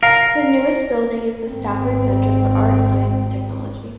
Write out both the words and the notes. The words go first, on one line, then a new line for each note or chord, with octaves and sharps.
The newest building is the Stafford Center for Art, Science and Technology.
A#4 F5
G#1 C4